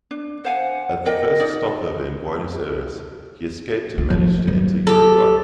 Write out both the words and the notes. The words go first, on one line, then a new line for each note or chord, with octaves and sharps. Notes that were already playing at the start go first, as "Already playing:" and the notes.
At the first stopover in Buenos Aires he escaped and managed to enter Uruguay.
D4
C5 F5 F#5 G#5
A#4 D5 D#5 G5
D#4 D5
F4
F3
F#3
G4 A4